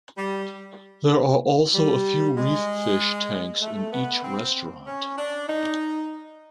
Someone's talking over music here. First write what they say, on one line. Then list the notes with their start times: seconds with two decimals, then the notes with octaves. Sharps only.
There are also a few reef fish tanks in each restaurant.
0.17 G3
1.74 G3
2.36 G#3
3.61 A3
3.92 B3
4.23 C4
4.86 C#4
5.17 D4
5.49 D#4